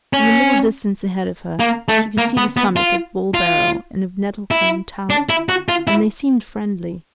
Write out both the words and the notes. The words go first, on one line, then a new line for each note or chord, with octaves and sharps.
In the middle distance ahead of her she could see the summits of Bulbarrow and of Nettlecombe Tout, and they seemed friendly.
C#4
A#3
A3
A#3
B3
B3
F4
F4
E4
D4
E4
F#4
F4
E4